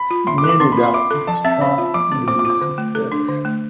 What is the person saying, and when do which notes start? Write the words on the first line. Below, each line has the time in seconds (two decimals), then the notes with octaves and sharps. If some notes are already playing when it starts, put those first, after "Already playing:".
Many doubted Strawn would be a success.
Already playing: B5
0.11 F4
0.27 E5 C6
0.38 D6
0.44 A4
0.49 D6
0.60 C4 C6
0.72 F4 B5
0.83 C6
0.94 E5 D6
1.11 A4
1.27 F3 A5
1.44 C4 E5
1.61 C5 B5
1.78 F4
1.94 F3 D6
2.12 C4
2.28 C5 D6
2.39 D6
2.45 F4
2.50 D6
2.61 D3
2.78 A3
2.95 A4
3.12 D4
3.29 D3
3.45 A3